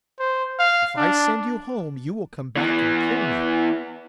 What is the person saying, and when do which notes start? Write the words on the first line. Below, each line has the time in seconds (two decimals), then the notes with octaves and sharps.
If I send you home, you will come back, and kill me.
0.19 C5
0.59 F5
0.97 D4
2.56 E3 B3